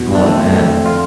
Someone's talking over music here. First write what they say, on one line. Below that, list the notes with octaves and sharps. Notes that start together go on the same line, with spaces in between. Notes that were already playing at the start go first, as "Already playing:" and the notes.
Oh man.
Already playing: E2 B2
D4
A3 C4
F2 D3
F4